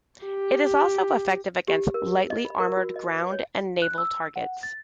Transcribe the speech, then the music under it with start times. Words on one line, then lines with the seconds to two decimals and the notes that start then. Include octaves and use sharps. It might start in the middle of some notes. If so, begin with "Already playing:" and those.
It is also effective against lightly armored ground and naval targets.
0.25 G4
1.68 G4
1.94 A#4
2.30 D#5
2.45 B5
2.60 A#4
2.77 F#4
2.96 D#5
3.15 B4
3.32 C#5
3.82 F#6
3.98 E6
4.36 F#5
4.63 A6